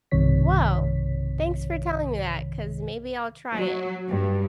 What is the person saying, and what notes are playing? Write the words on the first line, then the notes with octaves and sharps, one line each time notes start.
Well, thanks for telling me that, 'cause maybe I'll try it.
B1 G2 C3 D#3 C#5 B6
F#3
G2